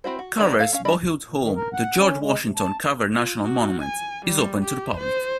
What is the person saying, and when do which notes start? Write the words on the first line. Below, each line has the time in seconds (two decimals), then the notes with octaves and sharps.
Carver's boyhood home, the George Washington Carver National Monument, is open to the public.
0.04 C4 E4 F#4 C5
0.19 F#4
0.37 D#3 G#3 B3 D4
0.59 A4 F5
0.73 C#4 F5
0.85 G3 D4 D#5 B5
1.27 A#2
1.39 D#3
1.56 A#4
1.74 F#5
1.97 C#4
2.19 G#3
2.42 C3
2.57 A5
3.14 F4
3.44 F#4
3.82 G#5
4.26 G3
4.63 G4
4.97 C5